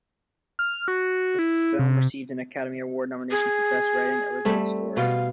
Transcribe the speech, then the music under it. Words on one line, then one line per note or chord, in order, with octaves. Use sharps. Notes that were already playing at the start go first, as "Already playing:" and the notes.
The film received an Academy Award nomination for Best Writing, Original Story.
F6
F#4
E4
C3
G#4
G3 A3 C4
B2 F5